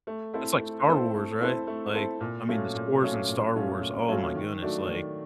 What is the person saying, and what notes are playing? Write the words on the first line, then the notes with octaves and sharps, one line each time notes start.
That's like Star Wars, right? Like, I mean, the scores in Star Wars, oh my goodness, like,
A3
C4 E4 A4 C5
A3
C4 E4 A4 C5
A3
C4 E4 A4 C5
A3
C4 E4 A4 C5
A#2
F#3 A3 C#4 F4
A#2
F#3 A3 C#4 F4
A#2
F#3 A3 C#4 F4
A#2
F#3 A3 C#4 F4
D#3
F#3 A3 D4 F#4
D#3